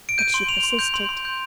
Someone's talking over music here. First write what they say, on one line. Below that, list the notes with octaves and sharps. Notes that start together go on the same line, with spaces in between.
But she persisted.
D7
G6 D#7
C6 G7
C6 F7
C6
G6
C6
C6
G6